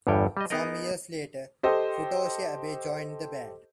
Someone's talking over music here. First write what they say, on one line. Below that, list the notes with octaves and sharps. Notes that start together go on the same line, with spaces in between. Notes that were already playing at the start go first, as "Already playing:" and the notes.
Some years later Futoshi Abe joined the band.
G1 E2 G2 G3 C#5 G5
G3 D#5
B3 D#4 G#4 A#4 D#5
G4 A4 C5 D#5